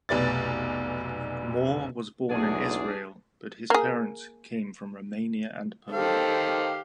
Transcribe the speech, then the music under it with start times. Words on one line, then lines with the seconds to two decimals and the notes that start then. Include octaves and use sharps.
Mor was born in Israel but his parents came from Romania and Poland.
0.09 F1 B1 B4 D5 A6
2.30 B1 E2 D4 G#4
3.70 A#3 G#4
5.92 D#3 G4 A4 C5 F5